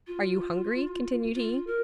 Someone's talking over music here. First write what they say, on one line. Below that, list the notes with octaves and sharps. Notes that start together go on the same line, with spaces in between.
"Are you hungry?" continued he.
F4
F4
A#4